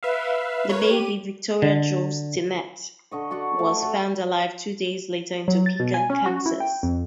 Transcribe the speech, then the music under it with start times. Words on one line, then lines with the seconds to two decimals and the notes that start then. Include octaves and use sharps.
The baby, Victoria Jo Stinnett, was found alive two days later in Topeka, Kansas.
0.03 B4 E5 F5
0.69 A#4 B4 C#5
0.90 G4 D#7
1.62 D3
3.11 D3 D#5 C#6
3.31 F#4 D5 F#5 C#6
3.59 A3
3.82 F#4 A4 C#5 F#5
5.48 F#3
5.66 A6
5.80 B2
5.94 G#5
6.10 C#4
6.26 F#4
6.46 E4
6.60 G5
6.83 F2